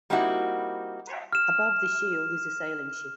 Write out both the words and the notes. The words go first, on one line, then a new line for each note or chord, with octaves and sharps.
Above the shield is a sailing ship.
G3 A#3 C4 D#4 E4 F#4
F6 E7